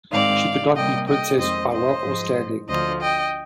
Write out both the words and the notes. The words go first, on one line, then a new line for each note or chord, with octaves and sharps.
She could not be princess by wealth or standing.
G#2 D#3 G#3 C4 D5 F5
C3 G3 A#3 D#5 G5
D#5 G5
F2 D#3 G#3 C4 C5 D#5
C5 D#5
G#2 F3 G#3
D2 D3 F3 C5 D#5
D#5 G5